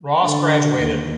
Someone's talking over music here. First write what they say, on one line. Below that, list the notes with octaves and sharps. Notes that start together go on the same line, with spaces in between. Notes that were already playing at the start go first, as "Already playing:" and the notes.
Ross graduated.
D3
D#2